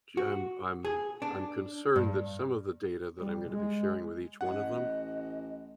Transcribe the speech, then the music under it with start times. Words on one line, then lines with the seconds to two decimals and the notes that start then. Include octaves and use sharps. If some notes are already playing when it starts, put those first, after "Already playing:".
ju um, I'm I'm concerned that some of the data that I'm going to be sharing with each one of them
0.17 F#4
0.85 G#4
1.22 D4
1.96 G2
3.19 G3
3.49 G#3
4.41 A1 D#5 F#5